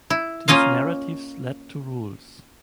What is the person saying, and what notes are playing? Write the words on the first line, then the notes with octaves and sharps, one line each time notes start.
These narratives lead to rules.
E4
A#3 C#4 F4 D#5 F5